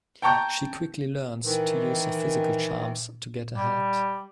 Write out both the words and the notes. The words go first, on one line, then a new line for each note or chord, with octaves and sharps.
She quickly learns to use her physical charms to get ahead.
G5 A5 A#5 C#6 G6
D#3 E3
G3